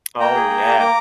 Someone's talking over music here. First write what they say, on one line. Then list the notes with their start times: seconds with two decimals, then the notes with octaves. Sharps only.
Oh, yeah.
0.20 A#3 G5 A#5
0.35 G#4
0.50 A#3
0.64 A#3
0.79 A#3 A#5 D6